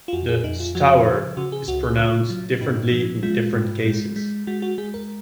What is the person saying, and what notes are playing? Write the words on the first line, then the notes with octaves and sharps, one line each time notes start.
The "Stour" is pronounced differently in different cases.
F4
F2 F#4
G#4
F2 D#4
F4
F3 F#4
C#3
C#3 F#4
G#4
C#2 F#4
G#4
C#3 F4
F#3
G#2 D#4
F3
G#3 F4
G#2
G#3
G#3
G#3 F#4
F#4
G#3 G#4
A#4